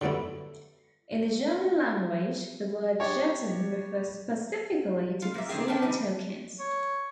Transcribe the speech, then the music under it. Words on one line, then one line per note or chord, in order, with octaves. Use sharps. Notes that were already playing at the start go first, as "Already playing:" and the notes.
In the German language, the word "Jeton" refers specifically to casino tokens.
D3 F#3 G3 B3 E4
D4 G4 C#5
F4
A#3 E5
C3 D#3 C4 G#4 G5
C#4 D4 C5 G5 A5
E3 G3 D#4
C#5